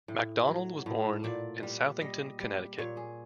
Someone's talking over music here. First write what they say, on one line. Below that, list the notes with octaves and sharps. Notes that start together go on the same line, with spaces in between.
MacDonald was born in Southington, Connecticut.
A2
F#3
A2
A#2 D5
G3
G3 D#5
G3
A#2 C#5
G#4